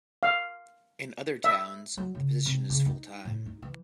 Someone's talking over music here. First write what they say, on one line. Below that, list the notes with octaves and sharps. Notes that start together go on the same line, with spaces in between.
In other towns, the position is full-time.
F5
E5
F#3
C#3
C3
C#3
D#4
A2
D#4
E3